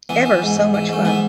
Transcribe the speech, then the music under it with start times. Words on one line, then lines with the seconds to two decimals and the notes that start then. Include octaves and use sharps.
Ever so much fun.
0.09 E3 B3
0.25 E3
0.42 G#2
0.57 G#2
0.74 E3
0.89 G#2 A3
1.05 E3 B3